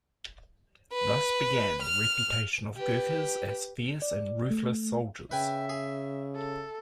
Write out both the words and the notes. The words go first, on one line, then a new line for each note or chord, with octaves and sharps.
Thus began the reputation of Gurkhas as fierce and ruthless soldiers.
B4
F6
G4 B4
D5
A3
C#3 B4 E5 G5 G#5
G#4
A4